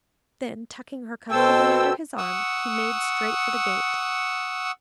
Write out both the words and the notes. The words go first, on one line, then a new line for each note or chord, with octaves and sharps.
Then, tucking her comfortably under his arm, he made straight for the gate.
B2 A4 C5 G5 E6
F#5 C#6 D#6 E6